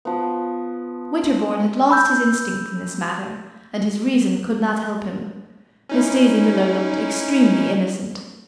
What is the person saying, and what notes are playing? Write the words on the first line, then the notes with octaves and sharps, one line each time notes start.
Winterbourne had lost his instinct in this matter, and his reason could not help him. Miss Daisy Miller looked extremely innocent.
F3 B3
B5 E6 G6
C#4 D#4 E4